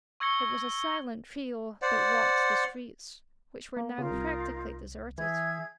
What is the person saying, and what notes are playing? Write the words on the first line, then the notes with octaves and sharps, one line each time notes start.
It was a silent trio that walked the streets, which were now practically deserted.
C#6 E6 G#6 A#6 C#7 G7
C5 D5 F#5
A#3
C#3 D#4 F4 A#4
C2
E3 G#4 E5 G#6